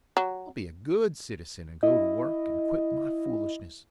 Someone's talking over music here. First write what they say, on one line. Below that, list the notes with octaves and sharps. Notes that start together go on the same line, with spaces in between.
I'll be a good citizen and go to work and quit my foolishness.
F#3
E4 D#5